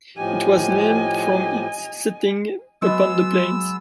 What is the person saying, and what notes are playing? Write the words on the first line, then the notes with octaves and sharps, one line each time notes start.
It was named from its setting upon the plains.
A2 F3 G4 D#5 G#5
F#3 G#3 B3 E6